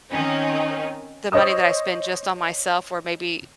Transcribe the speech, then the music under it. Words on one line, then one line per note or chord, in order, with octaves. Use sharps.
the money that I spend just on myself where maybe
D#3 C4 C#4 D#4
C5 C#5 D#5 D#6 E6